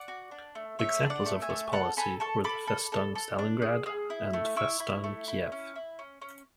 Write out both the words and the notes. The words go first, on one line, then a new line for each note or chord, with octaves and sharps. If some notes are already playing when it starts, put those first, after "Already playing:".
Examples of this policy were the Festung Stalingrad and Festung Kiev.
Already playing: D5 F#5
F#4
D4
A3
A3 C#5 E5
D4
D5 F#5
A3
E5 G#5
A3
A4 F#5 A5
A4 G#5 B5
A4 A5 C#6
A4 B5 D6
A4
A4
A4
D4
G#4
G#4
E4
A3
E4 C#6 E6
E4
A3
E4
C#4
E4
C#4
C#4